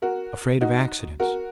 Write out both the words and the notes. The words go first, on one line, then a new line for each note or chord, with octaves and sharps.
Afraid of accidents.
F#4 A#4
D#4 F#4
F#4 A#4